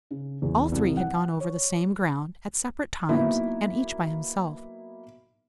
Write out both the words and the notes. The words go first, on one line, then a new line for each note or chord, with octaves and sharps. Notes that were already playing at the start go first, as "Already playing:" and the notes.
All three had gone over the same ground, at separate times, and each by himself.
C#3
E2
C2
F#5
C#5
F#3 A#3 B3 D#4 E4